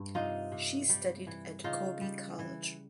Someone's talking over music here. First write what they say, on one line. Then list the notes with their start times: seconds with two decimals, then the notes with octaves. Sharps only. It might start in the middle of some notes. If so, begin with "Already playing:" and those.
She studied at Kobe College.
Already playing: G2
0.15 C3 D#4 F4
0.52 C3
0.89 G3
1.27 E3
1.64 C#3 D#4 F4
2.01 G3
2.39 E3